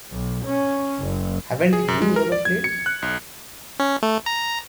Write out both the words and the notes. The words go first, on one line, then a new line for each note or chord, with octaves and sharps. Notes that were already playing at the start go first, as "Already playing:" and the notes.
Haven't you ever played?
B1
C#4
F#1
G#4
F#2
G#3
A#4
D5
G#6
C#7
F#6
B1
C#4
A3
A#5